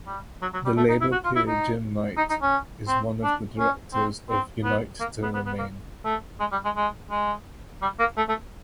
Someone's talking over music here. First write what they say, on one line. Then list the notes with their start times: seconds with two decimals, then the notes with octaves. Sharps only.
The Labour peer Jim Knight is one of the directors of Unite to Remain.
0.07 G3
0.42 F#3
0.53 F#3
0.65 G3
0.77 A3
0.89 D#4
1.01 E4
1.12 F#4
1.24 F4
1.36 E4
1.47 D#4
2.17 D#4
2.30 D#4
2.42 C#4
2.88 C4
3.24 D4
3.59 C#4
3.94 C4
4.30 C4
4.64 B3
5.00 A#3
5.23 B3
5.34 B3
5.46 B3
5.58 A#3
6.05 A3
6.40 G#3
6.52 G3
6.65 G#3
6.76 G#3
7.11 G#3
7.82 G3
7.99 A#3
8.17 A3
8.28 A3